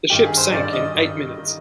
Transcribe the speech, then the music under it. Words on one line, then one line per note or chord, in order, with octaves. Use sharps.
The ship sank in eight minutes.
G2 D#3 G3 G4
G#4
C5
G2 D#3 G3 D5
D#5
G2 D#3 G3
D#3 G3